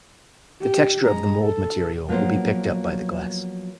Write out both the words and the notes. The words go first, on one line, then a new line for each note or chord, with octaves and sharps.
The texture of the mold material would be picked up by the glass.
G4
G#3 A#5
A4
F3 F#3 A#3 B3 C5